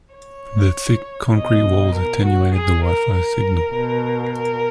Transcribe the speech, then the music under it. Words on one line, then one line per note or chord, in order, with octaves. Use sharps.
The thick concrete walls attenuated the wi-fi signal.
C#5
B2 D#5
A#4
F#4
G#4
A#4
A#4
B2
A#4